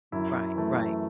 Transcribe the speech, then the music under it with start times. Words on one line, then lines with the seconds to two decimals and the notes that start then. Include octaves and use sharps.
Right. Right.
0.12 F#2 E4
0.55 E3 A3